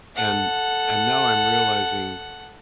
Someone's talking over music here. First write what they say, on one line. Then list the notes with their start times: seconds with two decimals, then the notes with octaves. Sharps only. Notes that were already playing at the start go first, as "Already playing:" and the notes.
And and now I'm realizing,
0.16 A4 F#5